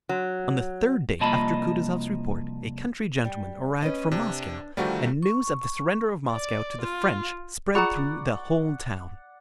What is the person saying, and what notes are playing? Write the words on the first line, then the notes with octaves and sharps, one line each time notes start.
On the third day after Kutuzov's report a country gentleman arrived from Moscow, and news of the surrender of Moscow to the French spread through the whole town.
F#3
C2 F3 A#3 D#5 A5 B5
G3
C#4 B4 D#5
C3 D4
D3 D#3 F3 G3 A3 F#4
C#6
D5
F4
F4 G#4 D5 F#5 A#5 B5 C#6